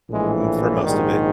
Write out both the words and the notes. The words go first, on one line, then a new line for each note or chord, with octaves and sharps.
mm, for most of it,
A#1 A2 E3 G#3
A#1 G#2 D#3 G3